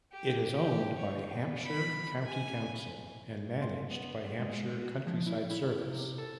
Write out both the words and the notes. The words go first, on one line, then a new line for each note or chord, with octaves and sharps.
It is owned by Hampshire County Council and managed by Hampshire Countryside Service.
G4
G4
C#5
B3
B5
G#5
C6
B3
G#3
F#4
F3
E4
E4
C3
A4